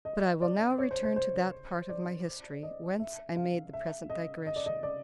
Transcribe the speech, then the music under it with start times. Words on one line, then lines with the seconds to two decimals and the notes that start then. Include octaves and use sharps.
But I will now return to that part of my history whence I made the present digression.
0.05 D#5
0.42 D5
0.78 C#5
0.91 C5
1.03 C5
1.16 C5
1.89 D5
2.63 D#5
3.00 E5
3.36 F5
3.73 E5
4.10 D#5
4.47 D#5
4.56 D5
4.66 D#5
4.83 D5